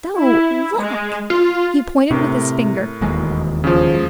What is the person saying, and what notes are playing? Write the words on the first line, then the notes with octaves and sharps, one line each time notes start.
"No, look!" He pointed with his finger.
E4
G#3
F4
A2 C3 A#4
E1 D#2 G#3
C#3 F3